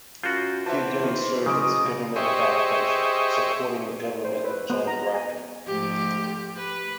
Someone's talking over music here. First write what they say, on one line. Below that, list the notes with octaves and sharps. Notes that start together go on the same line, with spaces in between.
He again served as a government backbencher, supporting the government of John Bracken.
F#2 F4 F#4 G6
E3 C5 E5 F#5 A5
D#3
C#3 F#3 D#5 D6 D7
G4 G#4 C5 D#5 E5 C#6
C5
B4
B3
A#5
G#5
G#2 F3 A3 G4
B4